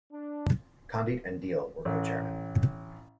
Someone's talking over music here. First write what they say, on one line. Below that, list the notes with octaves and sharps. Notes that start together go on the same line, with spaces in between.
Condit and Deal were co-chairmen.
D4
A1